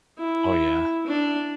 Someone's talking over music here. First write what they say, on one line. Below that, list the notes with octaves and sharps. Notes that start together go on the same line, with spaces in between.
Oh, yeah.
E4
D4